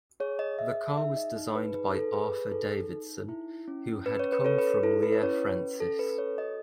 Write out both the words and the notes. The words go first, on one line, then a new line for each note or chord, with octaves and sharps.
The car was designed by Arthur Davidson who had come from Lea-Francis.
G#4 C#5
D#5
G#4 E5
D#4 E5
D#5
D#4
B4
G#4 B4
A4
G#4 B4
B4
D#4 A4
D#4
E4
C#4
C#4 B4
C#5
B4
A4 C#5
B4
E4 A4
B4
B4
C#4 C#5
B4
C#4
A4
A4 B4
C#5
F#4 D#5